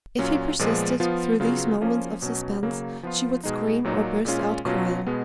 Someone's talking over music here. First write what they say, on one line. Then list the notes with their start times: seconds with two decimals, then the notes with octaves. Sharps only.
If he persisted, through these moments of suspense, she would scream or burst out crying.
0.18 A#2 F#3 C#4 F4
0.59 A#2 F3 G#3 B3
1.00 F3 B3 F4
1.40 C#3 F#3 B3 F4
1.81 F3 A#3 C#4 F4
2.22 B2 F#3 C#4
2.63 C#3 F#3 A#3
3.03 F3 B3 F4
3.44 B2 G#3 D#4
3.85 A#2 F#3 A#3 D#4
4.25 A#2 G#3 C#4 F4
4.65 B2 F#3 C#4 F4
5.06 B2 G#3 B3